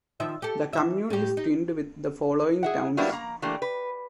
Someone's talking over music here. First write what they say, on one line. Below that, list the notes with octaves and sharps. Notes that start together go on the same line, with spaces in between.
The commune is twinned with the following towns.
D#3 F3 E5
G4 A4
E3 E5
A2 G4
D#4
G#4 E5 F#5
F#3 G3 A#3 B3 D4 E4
A#3 A#5
E3 A3 A#3 D4 G4
B4